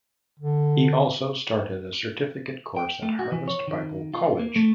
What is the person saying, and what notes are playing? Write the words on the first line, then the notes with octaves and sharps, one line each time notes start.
He also started a certificate course at Harvest Bible College.
D3
G5
A3
F#4
E3
C#5
D#3
F4
A#3
A3